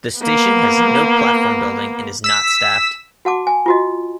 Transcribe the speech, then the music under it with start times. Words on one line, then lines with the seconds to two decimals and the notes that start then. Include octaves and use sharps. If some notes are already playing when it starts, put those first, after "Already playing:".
The station has no platform building and is not staffed.
0.20 A#3 B3
2.24 E6 B6
3.25 F#4 F#5 A5 D6
3.47 G#5
3.66 F4 F#4 D#5